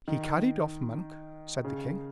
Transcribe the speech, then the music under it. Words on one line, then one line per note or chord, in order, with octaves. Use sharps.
"He carried off Monk?" said the king.
D#3
C#3